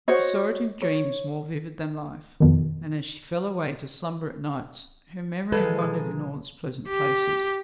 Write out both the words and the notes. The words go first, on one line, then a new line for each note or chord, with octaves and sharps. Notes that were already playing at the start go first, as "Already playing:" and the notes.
She saw it in dreams more vivid than life, and as she fell away to slumber at nights her memory wandered in all its pleasant places.
F#4 C5 C#5 D#5
C#5
F2 B2 D#3
A#2 D#3 F3 G3 G#3 A4 B4
B2
G4